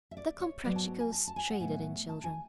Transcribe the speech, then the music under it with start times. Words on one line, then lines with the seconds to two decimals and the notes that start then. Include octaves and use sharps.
The Comprachicos traded in children.
0.11 E5
0.17 D5
0.40 C#5
0.64 G#2 F#3 B3 D5
0.76 A5
1.00 G#5
1.12 A5
1.27 A5
1.36 G#5
1.50 F#5
1.60 A2 F#3 B3 G#5
2.09 A5
2.24 G#5